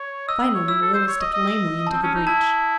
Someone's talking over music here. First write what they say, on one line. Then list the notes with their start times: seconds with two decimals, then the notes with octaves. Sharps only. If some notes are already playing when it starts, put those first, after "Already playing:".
Finally Marilla stepped lamely into the breach.
Already playing: C#5
0.28 D#5 E6
0.42 D#5
0.54 C#5
0.68 E4 E6
0.82 A4
0.94 C5
1.08 C#5
1.21 D#5
1.33 D#5
1.48 D#6
1.87 C4 A5
2.03 C#4
2.15 D#4
2.27 E4 A5